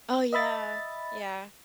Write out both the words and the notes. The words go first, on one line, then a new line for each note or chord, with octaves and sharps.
Oh, yeah. Yeah.
D#5 E5 B5 A6